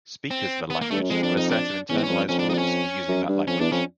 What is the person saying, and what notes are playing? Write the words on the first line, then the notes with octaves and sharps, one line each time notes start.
Speakers of a language have a set of internalized rules for using that language.
C4
B3
A#3
G2 A3
F#2
F2 G#3
D4
D#4
D4
E2 C#4
C4
C#4
F2
F2 C#4
D4
D#4
D4
C#4
F#2
G2
F2 C#4
E2 D4
F2 C#4